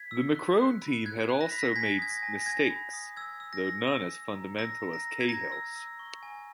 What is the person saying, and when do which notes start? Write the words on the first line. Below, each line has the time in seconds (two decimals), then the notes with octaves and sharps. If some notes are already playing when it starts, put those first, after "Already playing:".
The McCrone team had also made mistakes, though none as fundamental as Cahill's.
Already playing: G#6 B6
0.11 E6
0.35 F#6
0.58 F#6
0.82 B5
1.06 F#6 G#6
1.29 F#6
1.41 A#6
1.51 B5 B6
1.61 A#6
1.76 G#5 G#6 B6
1.99 D#6 G#6
2.11 A#6
2.23 G#5
2.41 A#6
2.46 G#5 G#6
2.70 B5
2.93 D#6
3.17 E6 G#6
3.40 E6
3.53 A#6
3.64 E6
3.87 E6
4.11 E6
4.35 A#5
4.58 E6 A#6
4.82 A#5
4.93 A#6
5.05 E6
5.21 G#6
5.28 A#5 A#6
5.52 E6
5.76 E6
5.99 C#6
6.23 G#5